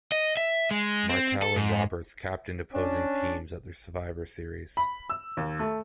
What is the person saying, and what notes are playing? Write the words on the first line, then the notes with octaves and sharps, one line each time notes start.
Martel and Roberts captained opposing teams at the Survivor Series.
D#5
E5
G#3
C4
A4
G#2
C#4 D4
B5
E6
D#2
A3